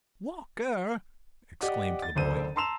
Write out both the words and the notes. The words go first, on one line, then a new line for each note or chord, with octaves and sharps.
"Walk-ER!" exclaimed the boy.
G4 D5 D#5 F#5
A6
F#1 D2 A4 C5 D5 D#7
A5 A#5 C6 E6 E7 F7